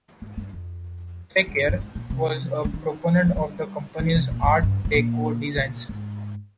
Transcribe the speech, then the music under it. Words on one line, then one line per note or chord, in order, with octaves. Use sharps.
Sakier was also a proponent of the company's Art Deco designs.
G#2
G2
F2
G2
G2
G#2
A#2
C3
D3
D#3
G#3
G3
D#3
C3
A#2
G2
G#2
G2
G#2
A#2
A#2
G#2